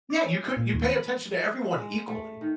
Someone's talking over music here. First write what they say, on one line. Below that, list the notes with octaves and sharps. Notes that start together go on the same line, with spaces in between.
Yeah, you couldn't you pay attention to everyone equally.
D5
C#4
C7
A#2
D#2
B5
G#3
A3
D#3